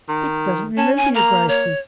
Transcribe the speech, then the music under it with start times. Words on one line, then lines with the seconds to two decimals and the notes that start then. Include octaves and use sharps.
'Dick doesn't remember you, Gracey.
0.08 D#3
0.77 C#4 A5
0.97 G#5
1.15 A#3 A#5
1.49 C#5